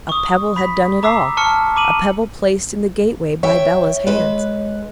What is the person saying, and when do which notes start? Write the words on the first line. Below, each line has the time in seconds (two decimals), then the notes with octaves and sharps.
A pebble had done it all,--a pebble placed in the gateway by Bela's hands.
0.09 C#6 D#6
0.56 B5 B6
1.03 A#5 D6 E6 B6 C7
1.37 A5 C#6 F6 C#7
1.76 A#5 D6 D#7 F#7
3.43 C#5 E5 G5
4.07 G#3 B4